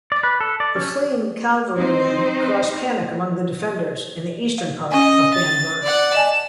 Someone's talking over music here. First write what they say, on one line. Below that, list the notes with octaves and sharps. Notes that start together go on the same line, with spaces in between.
The fleeing cavalrymen caused panic among the defenders in the eastern part of Bamberg.
D5
B4
A4
D5
C#4
C4 D#4 C5
F5
C#4 D#5 G#5
A6
D5 F#5
D#5 G#5 A5 E7